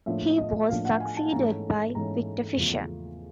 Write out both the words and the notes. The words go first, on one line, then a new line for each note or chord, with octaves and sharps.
He was succeeded by Victor Fisher.
A2 F3 A#3 D4 E5
D#5
A2 F3 A#3 D4 F5
F#5
G#5
A5
G#2 E3 A3 C#4 A#5
G#2 E3 A3 C#4 A#5
E2 C#3 F3 A3